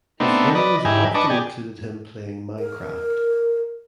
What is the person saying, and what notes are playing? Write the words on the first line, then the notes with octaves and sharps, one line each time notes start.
His videos often included him playing "Minecraft".
A3 B3 C4 D4 D#4
B4 D5 D#5
G#2 D#4 E4 G4 G#5
D4 B4 D#5 A5 C#6 D6
G4 G#4 D5
A#4